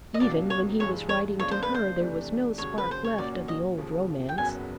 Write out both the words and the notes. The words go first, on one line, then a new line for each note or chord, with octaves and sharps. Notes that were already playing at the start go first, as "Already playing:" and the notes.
Even when he was writing to her there was no spark left of the old romance!
D#5
C#2 B2 F#3 A#3 D5
C#5
G2 E3 G#3 C#5
C#5
C#3 F3 A#3 D4 F4 C#5
C5
B4
C5
C3 E3 A3 D4
D#2 C#3 F#3 C#5
B4
C5
C#5
A#2 F#3 A#3 C#4 F#4 D5
D#5
D#2 C#3 F3
G5
F#1 E2 C#3 F#3 B3 G#5